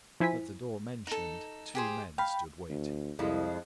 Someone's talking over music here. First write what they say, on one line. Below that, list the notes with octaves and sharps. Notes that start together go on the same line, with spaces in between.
At the door mentioned two men stood waiting.
F3 E4 C5 G#5 B6
D#4 A4
G4 G#4 C5
F5 G5 B5
D2
C2 F2 G#3 E4